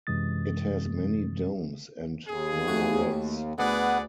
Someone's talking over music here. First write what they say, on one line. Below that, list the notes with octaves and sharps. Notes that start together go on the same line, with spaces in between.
It has many domes and minarets.
F#2 C3 E3 G#3 D#6 A6
D#2 G#4
A3 F#4
D2 B3 G#4 B4 D5 F#5